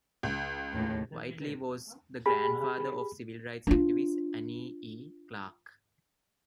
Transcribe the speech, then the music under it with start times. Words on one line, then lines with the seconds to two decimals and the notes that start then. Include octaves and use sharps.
Whitely was the grandfather of civil rights activist, Annie E. Clark.
0.23 C#2
0.73 D#2 A2
2.26 G4 G#4 B5
3.67 D4 F4